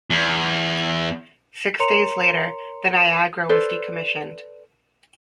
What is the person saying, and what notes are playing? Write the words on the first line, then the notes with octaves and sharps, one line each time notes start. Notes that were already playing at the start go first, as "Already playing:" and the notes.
Six days later, the "Niagara" was decommissioned.
E2
A#4 C#5 A#5 C6 C#7 F7
A4 B4 C5 D5